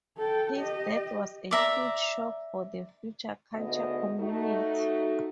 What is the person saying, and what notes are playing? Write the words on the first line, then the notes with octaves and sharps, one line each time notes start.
His death was a huge shock for the Future Culture community.
A4 G5
G4 D#5
D5 E5 A#5
D2 G#2 B3 D#5
A3 D#4 F#4